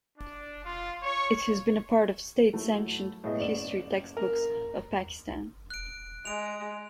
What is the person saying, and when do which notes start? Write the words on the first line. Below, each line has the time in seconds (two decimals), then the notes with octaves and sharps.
It has been a part of state-sanctioned history textbooks of Pakistan.
0.18 D4
0.65 F4
1.03 C#5
2.53 F#3 A3 E4
3.24 A2 B3 G#4 D#5
3.40 F#1 D5 E7 F#7
4.17 A#4
5.70 F#6 D7
6.25 G#3 D7 F7